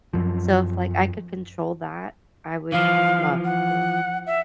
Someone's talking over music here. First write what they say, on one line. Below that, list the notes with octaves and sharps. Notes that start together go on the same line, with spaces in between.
So, if like I could control that, I would love to.
F#2 F3
E3 F3 F5
F#5
E5